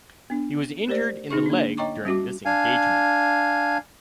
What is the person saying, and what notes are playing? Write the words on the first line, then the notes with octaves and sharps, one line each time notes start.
He was injured in the leg during this engagement.
B3 D4
A3 G4 A#4 C5 D5
D3 C#4 D#4 G#4 C#6
A#3 D4
C#5 D#5 G5 A#5 C#6 D6
G3 C#4 F#4 D6
D4 F5 G#5